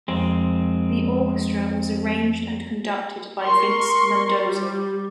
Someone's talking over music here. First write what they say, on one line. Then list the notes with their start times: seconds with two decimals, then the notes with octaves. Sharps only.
The orchestra was arranged and conducted by Vince Mendoza.
0.08 F2 G#3 C4
3.40 A#4 C6 C#6
4.39 G3